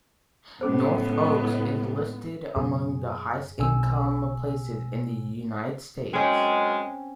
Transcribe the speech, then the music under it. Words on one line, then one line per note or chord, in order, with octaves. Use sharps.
North Oaks is listed among the highest-income places in the United States.
C#2 A2 B3 C#4 G#4 C5
F#2 B2 G#4
B1 B2 C4 G#5 E6
F#2 G#3 C4 C#4 G5